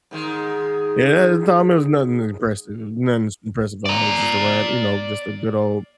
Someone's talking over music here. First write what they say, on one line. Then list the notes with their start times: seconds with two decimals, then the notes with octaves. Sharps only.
yeah, at the time it was nothing impressive, it was nothing impressive about it, it was just a ran you know, just a good old
0.11 G#2 D#3 G#3
3.86 D5 A#5